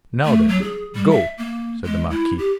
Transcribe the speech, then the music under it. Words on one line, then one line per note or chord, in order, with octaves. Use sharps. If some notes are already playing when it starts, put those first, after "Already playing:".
"Now, then, go," said the marquis.
A3
F#3
G#4
G3
E5
A#3
G#3
E4
G4